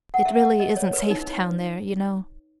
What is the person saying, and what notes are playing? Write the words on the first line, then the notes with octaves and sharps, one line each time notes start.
"It really isn't safe down there, you know."
F#5
E5
D#5
C#5
B4
D#4